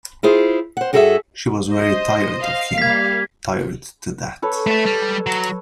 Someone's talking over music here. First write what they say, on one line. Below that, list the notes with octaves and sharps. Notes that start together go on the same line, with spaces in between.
She was very tired of him — tired to death.
E4 F4 G#4 C5
C5 F#5
G2 F#4 G#4 A4 B4 E5
C5 D#5
F5
G3 A#3 G#6 B6
A4 B4 C#5
A3 E5
G3
F#3